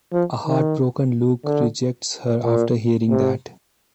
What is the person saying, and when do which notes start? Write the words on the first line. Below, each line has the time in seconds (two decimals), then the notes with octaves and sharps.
A heartbroken Luke rejects her after hearing that.
0.13 F3
0.46 D#3
1.45 D3
2.44 A#2
3.10 C3